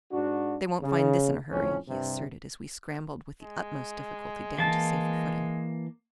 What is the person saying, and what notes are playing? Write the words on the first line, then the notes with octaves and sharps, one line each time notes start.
"They won't find this in a hurry," he asserted, as we scrambled with the utmost difficulty down to safer footing.
G#2 D4 F#4
C#3
F2 A2 C#4
C2 G2 C3
G#3
E3 A#3 A5